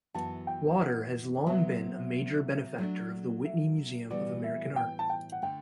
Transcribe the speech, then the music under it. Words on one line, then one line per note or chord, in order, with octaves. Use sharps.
Lauder has long been a major benefactor of the Whitney Museum of American Art.
F#2 E3 B3 F#4 A5
G5
F#5
C3 F#3 B3 E5
F#3 A3 D4
E5
A2 E3 G3 B3 F#4 D5
E5
G5
A5
G5
F#5
D3 A3 G5